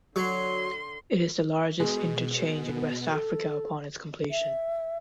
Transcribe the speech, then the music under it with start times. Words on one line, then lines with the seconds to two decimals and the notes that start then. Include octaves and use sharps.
It is the largest interchange in West Africa upon its completion.
0.16 D3 F#3 C6
1.80 B2 G#3
2.63 B3
3.12 A4
4.31 E5